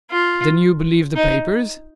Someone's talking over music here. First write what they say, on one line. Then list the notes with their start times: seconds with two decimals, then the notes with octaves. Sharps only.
"Then you believe the papers?"
0.11 F4
1.16 D#4